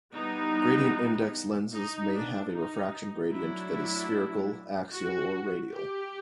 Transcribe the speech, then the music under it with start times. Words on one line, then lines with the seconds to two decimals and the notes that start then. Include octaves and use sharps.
Gradient-index lenses may have a refraction gradient that is spherical, axial, or radial.
0.14 E3 G3 B3 D#4
1.73 D#4
2.14 D4
2.53 D#4
3.32 F#3 A3 D4 E4
4.93 F#4
5.73 G4